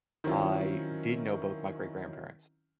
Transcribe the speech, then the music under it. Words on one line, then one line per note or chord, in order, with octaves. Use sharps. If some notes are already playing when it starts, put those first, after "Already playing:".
I did know both my great-grandparents,
D#3 F#3 C4 C#4 E4 F4